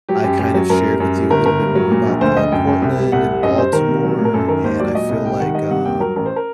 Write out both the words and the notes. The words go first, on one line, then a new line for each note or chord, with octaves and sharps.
I kind of shared with you a little bit more about th uh, Portland and Baltimore, and I feel like, um,
F#3 G4
F#2 G4
F#2 G4
F#3
F#2 A#4
G3
F#2
G3
G1 A#4
G1 A#4
G2
F#3
A#2
A#1
D2 C5
D2 D#5
F#2 G5
F#2
C2
G3
C2 F#5
C3
F#2 D#5
G3 C5
D#3 A#4
C3
F#3
A2
A#4
F#2 A4
D#3 A#4
D#2 C5
F#3 D5
A#2 D#5
C2
G3 G5
D#3 F#5
G3 D#5
C3 F#5
D#2 G5
F#3 A#4
A1 A#4
C5
A#4